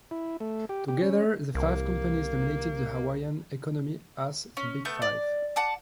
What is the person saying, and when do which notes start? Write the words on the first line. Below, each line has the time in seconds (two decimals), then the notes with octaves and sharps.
Together, the five companies dominated the Hawaiian economy as the Big Five.
0.11 E4
0.40 A3
0.69 G4
0.88 G4
1.02 C#4
1.55 C2 A#3
4.57 C#4
4.85 A3 B3 G6
5.02 D5
5.56 F#5 A5 D6